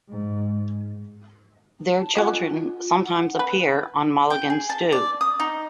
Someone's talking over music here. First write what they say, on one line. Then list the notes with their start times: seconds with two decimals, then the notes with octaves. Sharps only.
Their children sometimes appear on "Mulligan Stew".
0.12 G#2
1.98 A5
2.15 F4 F#4 G#4 D#5
2.28 D3
3.04 F#5
3.39 B4
4.30 G5
4.50 G#4
4.69 A5
4.92 D5
5.21 D#6
5.40 D#4